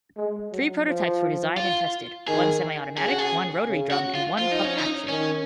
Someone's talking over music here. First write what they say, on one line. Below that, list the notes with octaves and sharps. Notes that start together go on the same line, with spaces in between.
Three prototypes were designed and tested: one semi-automatic, one rotary-drum, and one pump-action.
G#3
F#3
F3
F4
D#3 G#4
C#3 G#4
F#4
G#4
C#3
F#4
F4
F3 F4
D#4
C#4
D#4
D#3 C#4